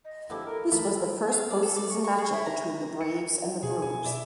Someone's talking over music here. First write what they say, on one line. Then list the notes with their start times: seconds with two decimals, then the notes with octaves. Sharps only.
This was the first postseason matchup between the Braves and the Brewers.
0.05 D#5
0.30 F3 B3 D4 E4 G4 A4
0.46 A4 A#4
0.72 A#2 E3 A3 A5 B5
1.31 F5
1.50 D5
1.63 A4
1.76 D5
1.90 C#6
2.04 C#6
2.18 G#4
2.33 E4
2.46 A#5
3.01 C#7
3.63 B2 G#4
3.82 G#5
4.04 E4 D5 E5